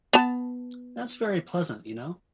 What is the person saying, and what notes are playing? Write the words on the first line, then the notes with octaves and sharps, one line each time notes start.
That's very pleasant, you know!
B3 A5